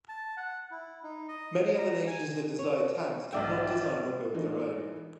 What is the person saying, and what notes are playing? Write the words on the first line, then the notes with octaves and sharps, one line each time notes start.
Many other nations that desired tanks could not design or build their own.
A5
F#5
E4
D#4
D#5
A#5
G#5
C#5
B1 G#2 D5 E5 G5
E3 D4 D#4 F4